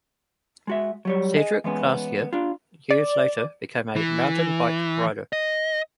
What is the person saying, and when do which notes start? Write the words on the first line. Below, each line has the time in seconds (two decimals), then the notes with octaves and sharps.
Cedric Gracia, years later, became a mountain bike rider.
0.67 G#3 F#4 E5
1.05 F#3 G3 C#5
1.37 G#4 D#5
1.64 E3 G#3 B3 C#4
2.33 D4 F4
2.90 D5
3.96 E3
5.33 D#5